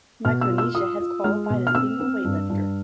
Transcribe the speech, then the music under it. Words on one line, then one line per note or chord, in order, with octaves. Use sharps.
Micronesia has qualified a single weightlifter.
B2 F6
E6
F4
E6
F4 D#6
F4
G#3 F6
B2
F6
C4 E6
C4
G2
G2